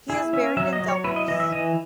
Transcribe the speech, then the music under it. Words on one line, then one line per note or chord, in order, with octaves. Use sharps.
He is buried in Delphos.
E4 G#4
C#4 E5
F#3 E5
D#5
F#3
C#5
E4 B4
D#5
E3 D#5
E5
E3 D#5